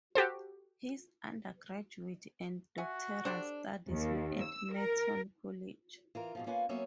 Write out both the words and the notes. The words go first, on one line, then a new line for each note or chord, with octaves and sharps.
His undergraduate and doctoral studies were at Merton College.
F#4 G4 A4 C5
F#4 E5 F#5 G#5
D4 G4 A4 C5
D#2
E6
A#4
E3 F4 A#4
G#2 B2 F3
A#3 C#4 F4 B4 G#5
F#3 A#3 B3 C#4 C#5 E5